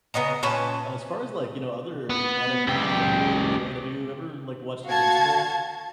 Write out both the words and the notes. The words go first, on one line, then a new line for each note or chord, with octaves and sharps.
As far as like, you know, other adaptations that I really enjoyed, have you ever, like, watched Invincible?
C#3 B3 D#5 A#5
A#2 C#4 B4 A5
B3
C#2 G4
F#4 F5 A5 G#6